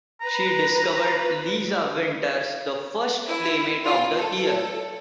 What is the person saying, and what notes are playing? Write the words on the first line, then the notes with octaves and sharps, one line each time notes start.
She discovered Lisa Winters, the first Playmate of the Year.
B4 A#5
E4
F4
A4